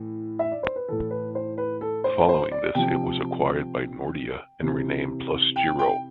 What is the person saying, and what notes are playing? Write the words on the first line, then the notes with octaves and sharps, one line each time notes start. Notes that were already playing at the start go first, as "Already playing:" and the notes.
Following this it was acquired by Nordea and renamed PlusGirot.
Already playing: A2 E3
E5
D5
C5
B4
A2 E3 A4
B4
C5
B4
A4
C5
C5
D5
C3 F3 G5
C3 E3
G5
G5